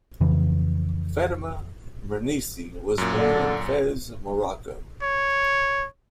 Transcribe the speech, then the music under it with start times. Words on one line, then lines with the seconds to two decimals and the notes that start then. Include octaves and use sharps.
Fatema Mernissi was born in Fez, Morocco.
0.21 F2 C#3 E3
2.98 F#2 A#2
3.17 D3 A4
5.02 C#5